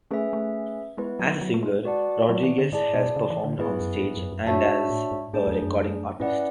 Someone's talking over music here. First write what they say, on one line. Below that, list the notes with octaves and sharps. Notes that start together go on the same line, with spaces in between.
As a singer, Rodriguez has performed on stage and as a recording artist.
A3 C#4 G#4 B4 E5
A3
G#3 B3 E4 B4
F#3
F#3
A3
G#3
F#4 B4 D5 F#5 A5
F#3
E3
D3
G#2 E4 G#4 D5 A5
B2
C#3
E3
D3
G#2 B3 E4 G#4 B4
F#2
G#2
F#2
F#2
F#2 D4 F#4 C#5 E5 A5
G#2
A2
G#2
G#2 A3 D4 G#4
E2
F#2
F#2
G#2 C#4 E4 B4 D5 F#5